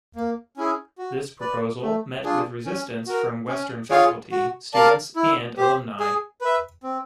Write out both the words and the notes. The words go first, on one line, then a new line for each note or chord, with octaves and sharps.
This proposal met with resistance from Western faculty, students and alumnae.
A#3
C#4 E4 G#4
F#4
B4 D5
A3
D4 F4 G#4
C#4
F#4 A#4
C#4
F4 G#4 C#5 F5
F#4
A#4 D5 F5 A5
E4
G4 C5
G#4
B4 E5
C4